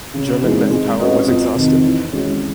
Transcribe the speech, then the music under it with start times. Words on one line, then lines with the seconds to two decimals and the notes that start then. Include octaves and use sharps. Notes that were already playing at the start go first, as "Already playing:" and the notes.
German manpower was exhausted.
0.14 C#3
0.43 E3 G#3 C4 D#4
0.71 G#3
1.00 C#4 F#4 B4 D#5
1.27 F2
1.55 C3 D#3
1.84 E3
2.12 G#3 C#4 F#4